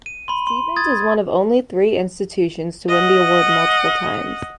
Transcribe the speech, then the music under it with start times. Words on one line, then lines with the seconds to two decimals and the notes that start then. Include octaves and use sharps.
Stevens is one of only three institutions to win the award multiple times.
0.06 D#7
0.28 B5 C6
0.47 C6
0.76 D#6 G#6 A6
2.88 D#5 F#5